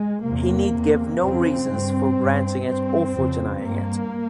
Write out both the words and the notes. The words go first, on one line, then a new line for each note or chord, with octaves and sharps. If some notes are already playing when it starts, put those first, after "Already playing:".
He need give no reasons for granting it or for denying it.
Already playing: G#3
E2 C3 A#3
E2 C3
F2 C#3 C4
G2
G2
G2 C4
F2 C#3
G2 A#3